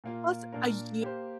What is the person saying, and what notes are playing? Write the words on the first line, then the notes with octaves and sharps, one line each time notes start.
Plus a year.
A#2 A#3 F4
A#2 A#3 D4 A#4
A#3 G4 C5